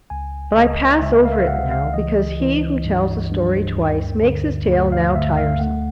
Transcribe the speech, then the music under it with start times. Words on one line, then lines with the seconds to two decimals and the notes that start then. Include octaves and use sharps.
But I pass over it now, because he who tells a story twice makes his tale now tiresome.
0.10 C#2 G#5
0.56 C#2 D#5
1.02 C#2 E5
1.25 F5
1.32 E5
1.39 F5
1.48 C#2 F#5
1.72 F5
1.93 E3 D#5
2.40 E3
2.85 G2
3.32 G2
3.77 D2
4.23 D3
4.69 D2
4.92 F5
5.15 D2 E5
5.37 F5
5.60 A3 F#5